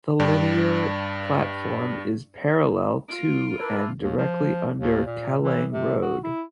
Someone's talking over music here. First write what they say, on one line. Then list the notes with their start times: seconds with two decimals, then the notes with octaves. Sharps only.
The linear platform is parallel to and directly under Kallang Road.
0.20 G2 D4 D5 G5
3.09 F4 D7
3.58 D4 E4 A#4 B4
4.01 D#2
4.17 F3
4.78 D#2
5.06 A#2
5.43 E3
5.72 C3
6.02 F#4
6.24 E4